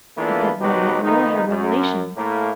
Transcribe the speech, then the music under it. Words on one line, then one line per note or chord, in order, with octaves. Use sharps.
At that moment Marilla had a revelation.
E3 A#3 B3 D4 F4 A4
G#1 B2 F#3 D#4 G4 B4
F2 D#3 B3 D#4
F#2
A2 A3 A#3